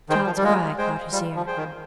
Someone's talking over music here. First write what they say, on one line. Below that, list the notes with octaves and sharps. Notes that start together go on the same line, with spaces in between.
A child's cry caught his ear.
D#3 G#4 C5 G5
F3
G3
G#3 F4
G#3 G#4 C5 G5
G3 F4
F3
G#4 C5 G5
D#3